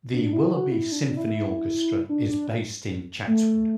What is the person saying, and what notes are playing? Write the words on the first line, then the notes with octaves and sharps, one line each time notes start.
The Willoughby Symphony Orchestra is based in Chatswood.
D4
E4
F#4
E4
D4
D4
E4
D4
D4
A3